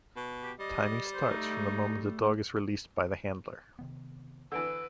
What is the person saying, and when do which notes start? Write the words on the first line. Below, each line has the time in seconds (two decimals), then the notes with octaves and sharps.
Timing starts from the moment the dog is released by the handler.
0.16 B2
0.43 G4
0.60 G3 D#5
1.14 C5
1.31 A3 D#4
3.79 C3 D#3 B3
4.52 D3 E3 B4 E6 D7